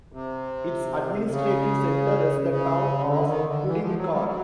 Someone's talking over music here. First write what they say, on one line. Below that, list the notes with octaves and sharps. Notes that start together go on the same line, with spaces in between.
Its administrative center is the town of Kudymkar.
C3
C#3
C#3
D3
D#3
D3
E3
F3
F#3
G3
F#3